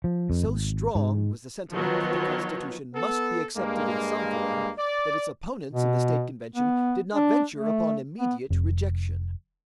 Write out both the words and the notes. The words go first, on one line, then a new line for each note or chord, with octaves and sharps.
So strong was the sentiment that the Constitution must be accepted in some form, that its opponents in the state convention did not venture upon immediate rejection.
F3
F2
G#1
G#2
D#3 F3 F#3 B3 C#5
B3 A4
G2 G#3 A#3
D5
B2
B3
D4
A3
B3
F1